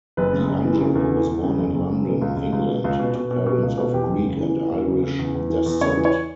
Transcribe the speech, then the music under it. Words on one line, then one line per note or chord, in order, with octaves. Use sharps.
Di Angelo was born in London, England, to parents of Greek and Irish descent.
F#1 B4
C#3
F#1
E3
C#3
E2
E3
E2
C#3
F#1
F#1
C#3
B2
C#2
C#2
C#2
B2
C#2
B2
B2
B2
B2
C#2
B2
E2 G4
F#1
C#3
E3
E3
E2
C#3
C#3
E2
E2
E3
E2
C#3 C#5
E3
C#5